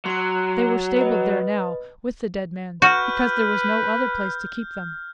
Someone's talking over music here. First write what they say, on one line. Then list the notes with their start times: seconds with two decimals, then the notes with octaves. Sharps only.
They were stabled there now, with the dead man, because there was no other place to keep them.
0.06 F#3 C6 F#6
0.97 B4 D#5
2.82 F#4 B4 F6 G6